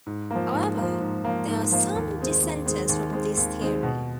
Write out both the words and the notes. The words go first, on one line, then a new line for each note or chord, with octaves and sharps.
However, there are some dissenters from this theory.
G#2
F3 A#3
G#2
F3 A#3
G#2
F3 A#3
G#2
F3 A#3
D#2
D#3 G#3 C4
D#2
D#3 G#3 C4
D#2
D#3 G#3 C4
D#2
D#3 G#3 C4
B2